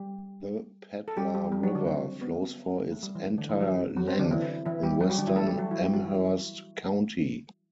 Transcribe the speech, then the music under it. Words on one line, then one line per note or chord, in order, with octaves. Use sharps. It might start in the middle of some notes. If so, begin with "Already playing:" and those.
The Pedlar River flows for its entire length in western Amherst County.
Already playing: G3 G4
A4
G3 G4
G3 G4
G3 G4
F#3 F#4
D3 D4
C4
B3
A3
G3
E3
D3
E3
F#3
F#3
C4
D3 D4
E3 E4
E3 E4
G3 G4
F#3 F#4
G3 G4
D3 D4
E3 E4
A3 A4
G3 G4
F#3 F#4
E3 E4
G3 G4
F#3 F#4
E3 E4